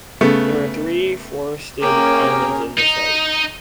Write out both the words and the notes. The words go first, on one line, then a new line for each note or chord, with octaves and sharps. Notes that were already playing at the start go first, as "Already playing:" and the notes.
There are three forested islands in the site.
C#3 A3 B3
A#3 C#4 G#4 A#4 G5 D6
D#4